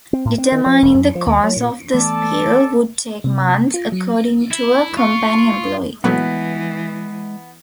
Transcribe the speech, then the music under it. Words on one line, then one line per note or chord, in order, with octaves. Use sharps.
Determining the cause of the spill would take months, according to a company employee.
C4
A2
C4
D#3
F3
E1
F#2
F3
D#2
F#3
A#2
E3 A3 B3 A4 D5 A5
C3
F4
F#3
E4
F4 C#6
A#2 E3 F#3 G#3 A3 B3